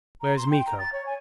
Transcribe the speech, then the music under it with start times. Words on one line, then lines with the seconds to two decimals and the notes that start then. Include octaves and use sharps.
"Where is Miko?"
0.21 A#5
0.36 C6
0.51 G5
0.66 A#5
0.78 A6
0.92 C#5
1.06 G#5